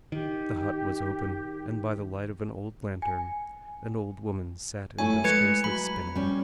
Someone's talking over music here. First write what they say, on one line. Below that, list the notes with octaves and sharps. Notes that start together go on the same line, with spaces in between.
The hut was open, and by the light of an old lantern an old woman sat industriously spinning.
D#3 G4
G#5
A3 E4 C#5 G#5
G#3 B4 G#6 C#7
F#3 B5
G3 C#4